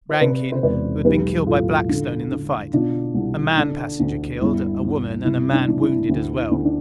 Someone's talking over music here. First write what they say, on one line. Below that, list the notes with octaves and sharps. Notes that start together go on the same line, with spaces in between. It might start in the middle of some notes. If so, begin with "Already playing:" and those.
Rankin, who had been killed by Blackstone in the fight; a man passenger killed; a woman and a man wounded, as well.
C5
C3 B4 D5
C5
E1 B4 D5
B1 G4 B4
A2 F4 A4
D3
D3
B2 D4 F4
C2
D3 D4
D2
G1 E4
G1
C3 E4
D4
E3
E4
D2 E4
E4
D2
D4